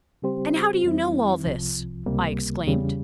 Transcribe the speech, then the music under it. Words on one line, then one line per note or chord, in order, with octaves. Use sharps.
"And how do you know all this?" I exclaimed.
C#3 G3 C4 G4 C5
F2 E3 G3 C4 E4
C2 C3 F3
C#2 C3 G3 A#3
E2 C#3 G3